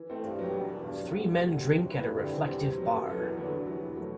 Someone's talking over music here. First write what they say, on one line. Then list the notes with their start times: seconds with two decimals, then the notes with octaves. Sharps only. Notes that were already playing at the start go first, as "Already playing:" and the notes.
Three men drink at a reflective bar.
Already playing: E3
0.10 A3 C4
0.24 G2
0.39 F#3 B3 D4 G4
0.53 E2
0.69 B2 G3 D4
0.84 G2
0.99 F#3 C4
1.14 C2
1.29 C3 F#3 A3
1.43 D2
1.58 C3 F#3 C4
1.73 F#3
1.87 C4 E4 B4
2.02 G2
2.18 D3 G3 C4 E4
2.32 E2
2.48 C3 G3 C4
2.62 C3
2.77 F#3 B3
2.92 F#2
3.07 F#3 B3 E4 A4
3.22 E2
3.37 D3 F#3 B3 D4
3.51 E2
3.66 C3 F#3 B3 E4
3.81 E2
3.96 B2 F#3 A3